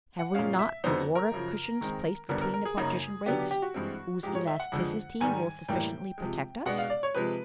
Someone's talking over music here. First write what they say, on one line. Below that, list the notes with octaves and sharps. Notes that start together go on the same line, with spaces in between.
"Have we not the water-cushions placed between the partition- breaks, whose elasticity will sufficiently protect us?"
F#5
A#2 F3 G#3 C#4 F5
E5
F2 D3 F#3 B3 D#4 C5
A#4
F#2 C#3 F3
D#3 G#3 C4
F2 D3 G3 B3 D4 A#4
A#4
A#4
G#4
F#2 C#3 F#3 A#3 D#4
D3 F#3 B3 D4 G4
G4
G4
F#4
G2 E3 G#3 C4
G#2 F3 G#3 G4
C#5
E5
F#5
F2 D3 F3 G#3
G#2 D#3 G3 G#5
A2 E3 G3 A#3 G5
C3 F3 G#3
B2 G#3 B3 D4 F#5
F5
D5
C#5
C3 F3 G#3 B4